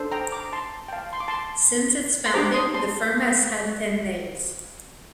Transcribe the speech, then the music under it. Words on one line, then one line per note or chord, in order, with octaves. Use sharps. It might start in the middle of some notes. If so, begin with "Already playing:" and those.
Since its founding, the firm has had ten names.
Already playing: D4 A4 C5
G5 A#5
A#5 D6
A5 C6
G5
F5 A5
C6
D6
A5 C6
C6
D4 G4 C5 A#5 D6
C6 D#6
A5 C6